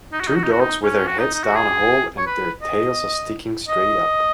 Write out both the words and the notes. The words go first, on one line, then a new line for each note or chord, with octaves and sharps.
Two dogs with their heads down a hole and their tails are sticking straight up.
D#4
F#4
D#4
F#4
D#4
F#4
D#4
C#4
F#4
D#4
D#4
F#4
G#4
C#5
B4
D#5
D#5